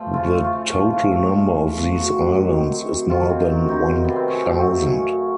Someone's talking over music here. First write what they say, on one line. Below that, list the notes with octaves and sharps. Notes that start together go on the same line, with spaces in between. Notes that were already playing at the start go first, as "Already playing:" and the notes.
The total number of these islands is more than one thousand.
Already playing: F3 A3
C#3 F4
A3
F4
C#3
F3
C#3
A3
C#3
F3
C#3
F#3 F#4
C3
D#3
C3
F#3
C3
D#3 F4
C3
F#3
C3 D#4
D#3
C3 B3
C4
F#3 C#4
A3
C4
C#3
F#2 C#4
F#3